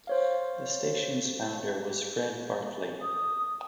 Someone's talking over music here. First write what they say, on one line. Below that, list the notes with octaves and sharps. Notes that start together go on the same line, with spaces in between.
The station's founder was Fred Bartley.
C5 C#5 F5
D#6